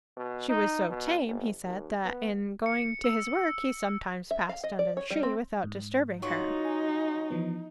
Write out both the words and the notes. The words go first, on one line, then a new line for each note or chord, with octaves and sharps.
She was so tame, he said, that in going to his work he sometimes passed under the tree without disturbing her.
B2
D#4
B2
G1
D#2
B3
C#7
E6
E5
F5
D#5
D5
C#5
G3
C4
G#2
F#3 D#4 F4 F#4
G#5
E3 F3 B3